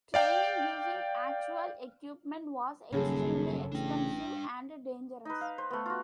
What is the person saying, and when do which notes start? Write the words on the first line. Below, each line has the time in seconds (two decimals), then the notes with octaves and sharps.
Training using actual equipment was extremely expensive and dangerous.
0.14 D5 F5 G5
2.92 D#1 F#2 C#3 G#4 A4
3.72 A1 D4 G5
5.25 D#4 B4
5.41 F5
5.58 C5
5.70 A3 B3
5.86 F4 F#4